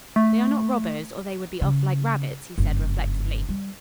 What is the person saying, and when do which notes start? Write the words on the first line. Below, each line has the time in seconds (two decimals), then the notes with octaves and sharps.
"They are not robbers or they would be off like rabbits" he said reflectively.
0.16 A3
1.61 C#3
2.58 F#1 G2
3.49 G3